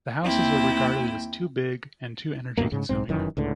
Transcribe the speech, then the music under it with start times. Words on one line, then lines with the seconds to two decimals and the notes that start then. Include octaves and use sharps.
The houses were regarded as too big and too energy consuming.
0.23 D#2 A#3 C4 E4 G5
2.57 D2 G2 B2 A#3
2.72 G#2 C#3
2.89 B1 G#2 C4
3.08 F1 F#2 D#3 E3
3.37 C#2 A2 D3